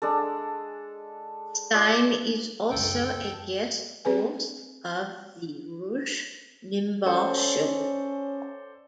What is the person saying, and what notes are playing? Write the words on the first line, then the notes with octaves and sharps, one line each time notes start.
Steyn is also a guest host of "The Rush Limbaugh Show".
G#3 D4 A4
F4 D5
C#2 F#2 D3 A4 G5
C4 G#4 B4 G#5
C#4 A4 C5 D5